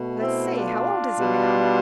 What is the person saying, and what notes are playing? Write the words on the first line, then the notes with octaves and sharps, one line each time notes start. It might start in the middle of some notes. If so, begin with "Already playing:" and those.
"Let's see--how old is he now?"
Already playing: B2 A3
C4 E4
D4 F4
B2 G3